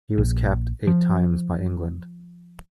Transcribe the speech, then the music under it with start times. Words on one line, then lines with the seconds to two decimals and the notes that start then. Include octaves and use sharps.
He was capped eight times by England.
0.18 A#1
0.87 F3